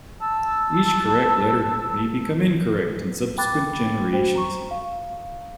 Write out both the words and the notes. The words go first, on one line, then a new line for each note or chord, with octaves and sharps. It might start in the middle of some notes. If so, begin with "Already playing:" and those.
Each correct letter may become incorrect in subsequent generations.
A5 E6
G5 B5 D6 F#6 A6
F#4 C5 G5
A#5 C#6
F5